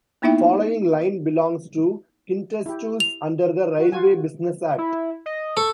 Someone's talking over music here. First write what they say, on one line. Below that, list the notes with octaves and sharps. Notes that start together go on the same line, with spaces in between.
Following line belongs to Kintetsu's under the Railway Business Act.
A#3 B3 D#4 E4 E5 G5
E4 G4
F7
F#4
F4 F#4 G#5
E4
D#5
A4 C#6